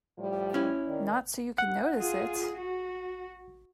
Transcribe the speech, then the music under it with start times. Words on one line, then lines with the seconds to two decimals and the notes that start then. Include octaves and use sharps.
Not so you could notice it!
0.18 A2 F3 G3
0.54 C#4 E4
0.87 D#3 D5
1.58 F#5
1.97 F4 G#4
2.57 F#4